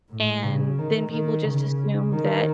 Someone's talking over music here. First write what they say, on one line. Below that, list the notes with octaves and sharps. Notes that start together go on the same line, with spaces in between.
and then people, just, assume that
A2
C#3
D#3
D#3
C#3
D#3